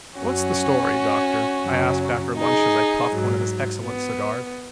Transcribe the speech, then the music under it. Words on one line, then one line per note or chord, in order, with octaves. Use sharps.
"What's the story, Doctor?" I asked after lunch as I puffed one of his excellent cigars.
F#2 F#3 C#4 F#4
F#2 C#3 F#3
D#4 G#4
G#2 F#3
B3